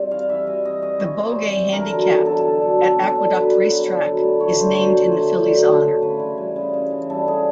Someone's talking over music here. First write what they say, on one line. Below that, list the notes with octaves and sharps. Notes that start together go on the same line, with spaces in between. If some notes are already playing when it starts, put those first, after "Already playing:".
The Beaugay Handicap at Aqueduct Racetrack is named in the filly's honor.
Already playing: G3 C4
E3 F5
E3 E5
G3 D#5
C4 D#5
E3 D#5
E3 C#5
G3 C5
C4
E3
D3 A#4
F#3
B3
D3 A4
D3
F#3
B3
D3
D3
F#3 B4
B3
D3
D3
F#3
A3
D3 C#5
D3 C5
F#3 C5
A3
D3
D3
F#3
A3
D3
C#3 B4
E3
G3
C#3
C#3
E3
G3 A4
C#3 G#4